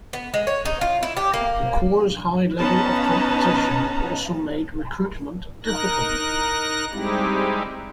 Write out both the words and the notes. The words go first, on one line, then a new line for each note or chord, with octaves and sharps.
The corps' high level of competition also made recruitment difficult.
B3
G#3
C#5
D#4
F4
E4
G4
A#3
B3 C#4 D#4 B4 A5 A#5
D#4 A#4 F#6 A#6
G3 G#3 C4 D#4 E4 G4